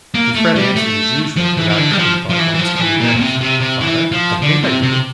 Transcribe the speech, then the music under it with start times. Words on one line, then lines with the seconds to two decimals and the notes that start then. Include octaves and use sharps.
And Fred answered as usual, without any thought of what was coming next, "Father, I think I do."
0.14 A#3
0.35 A3
0.55 G3
0.76 A3
1.37 F3
1.57 E3
1.70 E3
1.78 D3
1.91 G3
1.98 F3
2.29 F3
2.39 E3
2.54 E3
2.59 F3
2.75 F3
2.80 E3
3.00 A#2
3.16 A#2
3.20 C3
3.41 C3
3.60 C3
3.81 E3
4.12 F3
4.42 D3
4.63 C3
4.83 C3